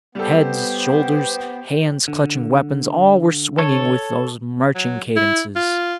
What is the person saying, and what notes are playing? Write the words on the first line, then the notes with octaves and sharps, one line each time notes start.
Heads, shoulders, hands clutching weapons, all were swinging with those marching cadences.
G3 B3 G4 A4 C5
D3
A4 C#5
F#3
E4
F4